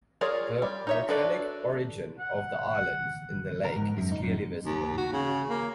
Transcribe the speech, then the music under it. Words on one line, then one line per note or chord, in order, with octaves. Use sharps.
The volcanic origin of the islands in the lake is clearly visible.
F4 G#4 A#4 C#5 D5
G3
D#4 C#5 E5
D4 F#4 A4 B4 D5
F#5
A#4
G#2
F#2
D#4
F#2
D#2
F#4
C#3
A#3